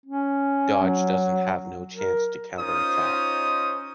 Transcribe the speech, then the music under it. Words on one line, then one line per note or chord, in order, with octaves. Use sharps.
Dodge doesn't have no chance to counterattack.
C#4
F#3
A#4
C#4 D#4 F4 C5 D#5 D#6